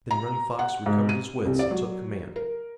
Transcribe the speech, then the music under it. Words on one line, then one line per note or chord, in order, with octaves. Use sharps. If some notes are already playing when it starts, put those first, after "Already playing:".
Then Running Fox recovered his wits, and took command.
A#5
F#5
G#2
D#7
C2
D5
F#3
A#4